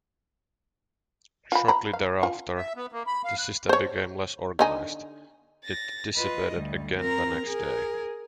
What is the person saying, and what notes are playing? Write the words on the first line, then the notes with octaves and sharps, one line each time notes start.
Shortly thereafter, the system became less organized; it dissipated again the next day.
F4 B5
A#5 B5
F5
F4
E5
B3
A#3
B5
F5
F#6
C5 C#5
D3 D#4 G#5
A6 A#6
F4 B4 D#5
D2 G3
C4 A#4 A#5
G#4 A#4